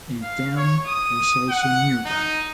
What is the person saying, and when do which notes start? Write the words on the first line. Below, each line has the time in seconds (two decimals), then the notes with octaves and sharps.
A dam was also nearby.
0.22 F5
0.57 C#5
0.87 D#6
1.50 F#5
2.05 D#4